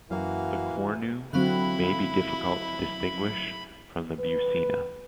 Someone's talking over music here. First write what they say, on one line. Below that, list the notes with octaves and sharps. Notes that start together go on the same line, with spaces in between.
The "cornu" may be difficult to distinguish from the buccina.
F#2 E3 A#3 F#4 F5
D3 F#3 C4 E4 F#4 F5 B5 F#6
B4